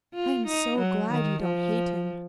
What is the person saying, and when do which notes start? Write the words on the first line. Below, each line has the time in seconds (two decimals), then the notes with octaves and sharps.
"I am so glad you don't hate him."
0.15 F4
0.47 D#4
0.79 F#3
1.11 D#3
1.42 F3